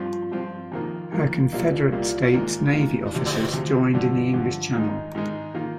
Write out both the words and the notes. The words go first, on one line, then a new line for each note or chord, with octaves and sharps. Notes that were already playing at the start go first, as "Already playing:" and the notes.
Her Confederate States Navy officers joined in the English Channel.
Already playing: G2 F3 C4 F4
G2 F3 C4 F4
F2 D#3 A#3 F4
F2 D#3 A#3 F4
C2 A#2 G3 A#3 F4
C2 A#2 G3 A#3 F4
G#2 D#3 A#3 F4
G#2 D#3 A#3 F4
D2 C3 F3
D2 C3 F3
G2 D3 F3
G2 D3 F3
G#2 D#3 G#3 D#4
G#2 D#3 G#3 D#4
D#3 A#3 F4